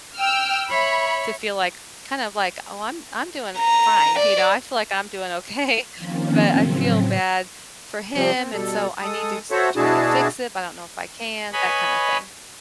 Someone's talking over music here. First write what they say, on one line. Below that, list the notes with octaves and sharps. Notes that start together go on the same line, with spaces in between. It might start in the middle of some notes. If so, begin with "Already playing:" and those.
to feel like, kind of like, "Oh, I'm I'm doing fine." You know? I feel like I'm doing okay, but I feel bad for him, and so I need to s try to fix it, but I don't know if I can, that kinda thing.
G5 E6 F6
C#5 E5 B5
A#5
D5
D#3 F3 A#3 C4 C#4 F4
A2 C#3 F#3 C4
C3 F3 G3 C4
C4
B2 G3 A4
G#3 A4 D#6
F#4 A4 C5 C#5 E5 F#5
B2 D4 E4 F#4 G#4 A5
B4 C#5 D#5 G#5 B5